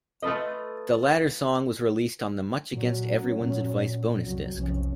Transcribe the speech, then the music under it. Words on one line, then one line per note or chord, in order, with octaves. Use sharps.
The latter song was released on the "Much Against Everyone's Advice" bonus disc.
A3 F4 A4 B4 D#5
A#2 F#3 C#4
A#2
C2 F2 F#3
F1 B1 F3 C#4